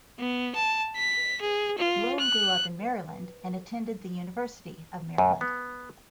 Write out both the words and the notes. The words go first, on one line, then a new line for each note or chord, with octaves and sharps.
Blum grew up in Maryland and attended The University of Maryland.
B3
A5
B6
G#4
F4
F#6
F#2
B3